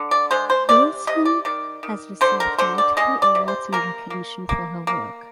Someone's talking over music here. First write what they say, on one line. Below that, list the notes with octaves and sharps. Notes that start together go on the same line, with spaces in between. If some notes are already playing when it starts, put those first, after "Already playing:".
Wilson has received multiple awards and recognition for her work.
Already playing: D3
D5
G#3 C5
C5
C3 D5
C3 D#5
D5
D#3 D5
D#3
D3 C5
A#4
D3 C5
D5
G#3 D#5
D5
C3
C5
A#3 A#4
A#3
A#3
A#3